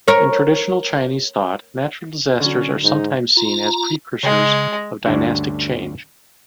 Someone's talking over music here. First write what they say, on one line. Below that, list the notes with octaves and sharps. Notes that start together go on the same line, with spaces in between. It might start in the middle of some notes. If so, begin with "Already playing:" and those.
In traditional Chinese thought, natural disasters are sometimes seen as precursors of dynastic change.
A#4 C#5
D3 F#3 C#4
G#2 D#4
F4 A#5
C#3 G#3
D2 G2 D3 C#4 D4 F#4